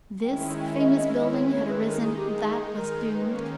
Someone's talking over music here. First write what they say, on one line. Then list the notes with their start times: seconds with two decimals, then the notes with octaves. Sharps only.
This famous building had arisen, that was doomed.
0.24 D#3 G#3 C#4 E4 G5
0.60 G5
0.70 E5
0.79 D#5
0.87 E5
0.96 D#5
1.14 D#5
1.32 C#5
1.51 C#5
1.68 D#3 G#3 D#4 B4
1.87 A#4
2.04 G#4
2.16 G4
2.28 G#4
2.66 G#4
2.76 A#4
3.12 D#3 A#3 C#4 B4